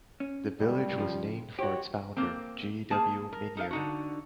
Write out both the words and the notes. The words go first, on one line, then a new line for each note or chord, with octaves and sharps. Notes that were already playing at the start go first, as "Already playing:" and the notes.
The village was named for its founder, G. W. Minier.
C#4
D2 G#2 G3
C#3 E3 F3
F#4 G4 C#5
A#3 C4
A#3 G#4 A5
A#4
D#4 A4 A#4 D5 F5
D3 D#4 F#4